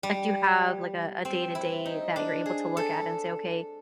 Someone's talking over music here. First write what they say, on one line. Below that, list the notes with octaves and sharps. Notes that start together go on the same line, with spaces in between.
like, do you have, like, a a day-to-day that you're able to look at and say, "Okay,
G3
C4
E4
D#4
D4
G#4
A4